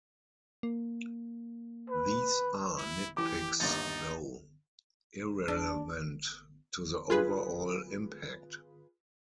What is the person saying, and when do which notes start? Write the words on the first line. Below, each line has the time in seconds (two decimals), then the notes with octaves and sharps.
These are nitpicks though, irrelevant to the overall impact.
0.63 A#3
1.90 B4
2.78 E4
3.17 E3 G4 D6
3.60 G1 D#2 D#4 A6
5.48 D4
7.10 F4 G#4 B4